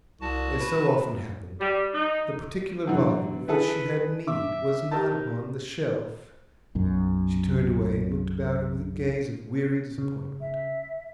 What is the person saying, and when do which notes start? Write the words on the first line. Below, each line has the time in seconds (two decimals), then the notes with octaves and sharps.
As so often happened, the particular volume of which she had need was not upon the shelf she turned away, and looked about her with a gaze of weary disappointment.
0.21 C2 F#4 A5
0.60 B4
1.61 G3
1.94 D#4
2.87 F#2 D3 E3
3.48 E4 G#4 A4 B4
4.27 E5 D6
4.91 D#4 G4 A#4 A5
6.75 B1 F#2
9.98 C#3
10.41 E5